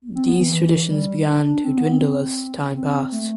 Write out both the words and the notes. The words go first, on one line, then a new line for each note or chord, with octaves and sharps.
These traditions began to dwindle as time passed.
C4
B3
E3
E3
G3
D4
D4
C4
B3
C4
C4
A3